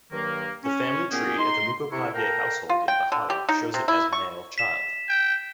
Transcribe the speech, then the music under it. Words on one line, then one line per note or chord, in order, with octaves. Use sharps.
The family tree at the Mukopadhyay household in Behala, shows it as male child.
G2 D#3 F#3 A#3
C#4
A#2 B3 C#4 G4 G#4
D#4 C6
C3 E4 C#6
A4 A#4 F5 G5 A#5
F4
G5
D3
G4
D#4
C3
E4
C#6
B6 E7
G5